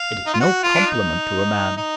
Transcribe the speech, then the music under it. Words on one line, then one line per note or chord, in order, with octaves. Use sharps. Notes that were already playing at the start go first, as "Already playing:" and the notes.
It is no compliment to a man.
Already playing: F5
D#4
F4
F#4
F4
D4
D#4
D#4